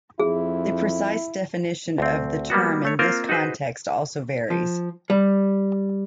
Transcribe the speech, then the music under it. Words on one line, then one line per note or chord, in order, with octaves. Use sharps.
The precise definition of the term in this context also varies.
F2 E4 G#4
D2 C4
G3 A#3 B3 F#4
A3 C#5
A#3 C4 F4 A#4 C5
D#4 F#4 G#4 B4 C5
F3
G3